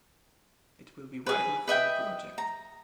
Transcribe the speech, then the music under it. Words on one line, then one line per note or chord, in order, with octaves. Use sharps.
It will be vital for the project.
G#4 B4
B4 D#5 E5 G5
A#5